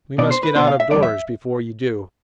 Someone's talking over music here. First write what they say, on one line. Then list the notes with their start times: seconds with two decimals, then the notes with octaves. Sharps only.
We must get out of doors before you do.
0.18 B2 B3 D4 D5
0.31 C5
0.43 B4
0.55 B2 B3 D4 C5
0.67 F5
0.80 E5
0.90 E2 D3 G3 B3 D5
1.03 E5